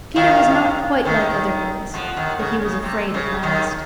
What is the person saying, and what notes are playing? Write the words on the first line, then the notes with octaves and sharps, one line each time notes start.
Peter was not quite like other boys; but he was afraid at last.
D#2 D#3 F5
D#2 D#3
F2 F3 F#5
D#2 D#3
C#3
C#3
C3
C#3
D#2 D#3